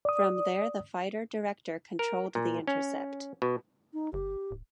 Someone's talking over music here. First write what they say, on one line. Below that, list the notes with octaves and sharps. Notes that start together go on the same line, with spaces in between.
From there the fighter director controlled the intercept.
D5 D#6
A#4
A#2
C#4
B2
D#4
G1 G4
D1